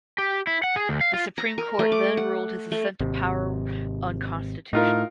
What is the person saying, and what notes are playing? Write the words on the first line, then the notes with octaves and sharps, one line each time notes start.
The Supreme Court then ruled his ascent to power unconstitutional.
G4
E4
F#5
G#4
D2
F5
F4
A#5
A#4
A3
D6
F#5
A3
G#1 C3
A2 D#4 F4 A#4